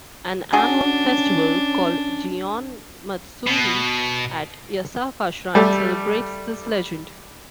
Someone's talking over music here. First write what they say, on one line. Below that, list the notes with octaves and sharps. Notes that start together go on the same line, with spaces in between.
An annual festival, called "Gion Matsuri", at Yasaka Shrine celebrates this legend.
C#4 D4 F#4 G#4
B2
G3 A3